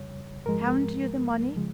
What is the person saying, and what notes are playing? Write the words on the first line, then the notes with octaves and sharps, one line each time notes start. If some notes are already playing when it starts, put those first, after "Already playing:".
Haven't you the money?
Already playing: F2 C#3 G3 C#5
G#2 F3 G#3 A#4
C#3 F3 G#3